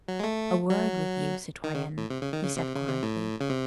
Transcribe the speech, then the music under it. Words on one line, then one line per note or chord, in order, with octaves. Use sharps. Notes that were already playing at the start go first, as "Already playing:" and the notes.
"A word with you, citoyenne," he said quietly.
F#3
G#3
A3
F#3
D#3
C#3
A2
C3
C#3
D#3
C#3
C3
C#3
C3
A2
C#3
C3